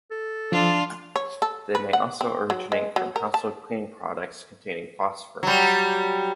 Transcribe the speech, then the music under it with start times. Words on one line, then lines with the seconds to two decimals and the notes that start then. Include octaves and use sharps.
They may also originate from household cleaning products containing phosphorus.
0.11 A4
0.52 F3 D4 F4
1.16 C#5
1.42 A4
1.75 B4
1.93 F#5
2.21 C4
2.50 F#3
2.72 G#3
2.96 F#3
3.16 A#4
3.34 A5
5.43 F#3 G3